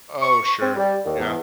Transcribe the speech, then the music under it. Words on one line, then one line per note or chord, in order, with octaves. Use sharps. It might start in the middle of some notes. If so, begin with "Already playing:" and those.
Oh, sure. Yeah.
C#6
C4
G3
D#2
E2